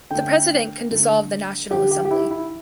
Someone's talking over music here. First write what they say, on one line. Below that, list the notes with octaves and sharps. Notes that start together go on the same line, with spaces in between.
The President can dissolve the National Assembly.
D3 A3 G5
D3 A3
D3 G3 G4
G4
G4
E4
E4